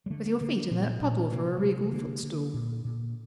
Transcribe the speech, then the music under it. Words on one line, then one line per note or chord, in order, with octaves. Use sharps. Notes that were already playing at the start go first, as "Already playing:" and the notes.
'With your feet in that puddle for a regal footstool!
G3
D3 A3
A#3
D3 A#3
D4
A#2 C4
A#2
C3 A#3
G3
C3 A3
D3 A#3
D3
A#2
A#2